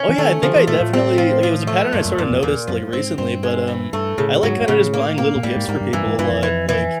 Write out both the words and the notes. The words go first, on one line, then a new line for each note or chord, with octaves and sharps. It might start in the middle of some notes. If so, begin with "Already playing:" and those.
Oh yeah, I think I definitely like, it was a pattern I sorta noticed, like, recently, but, um, I like kinda just buying little gifts for people a lot. Like
Already playing: C#4
E3
D#3 A3
D3 F3
E3
A#2 A3
A2
C4
F3
F3
A3
G2 A#2
F#2
F#2 A#2
F2
E2 A#2
F#2 F3
G#2
G#2 C4
G2 C4
G#3
E3
G2 A3
A2 C#3
G#2 F#3
G#2
A2 C#3
A#3
A#3
A#2
A2 G3
G#2
G#2 A#3
G2
G2 E3
G#2
G2 E3
F2
E3
E3